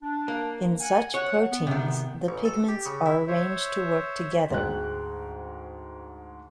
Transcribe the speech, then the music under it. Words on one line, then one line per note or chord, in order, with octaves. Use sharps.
In such proteins, the pigments are arranged to work together.
D4
A#3
A#4 F#5 G#5
C#5 F#5
B3
C3 D#3
A1
A4
G4
C#3
E4
C5 C#5 E5
D2 G#2 G#3 G5 F#6